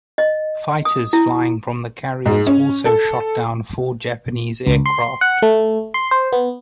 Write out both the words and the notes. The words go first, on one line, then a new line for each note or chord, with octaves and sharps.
Fighters flying from the carriers also shot down four Japanese aircraft.
D#5
D#6
E4
G#2
C#4
A4
C#2
C6
F#5
A3
C6
C5
B3